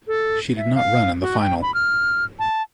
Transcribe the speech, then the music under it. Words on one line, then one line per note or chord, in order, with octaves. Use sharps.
She did not run in the final.
A4
E5
F5
F#4
G5
B5
F6
A5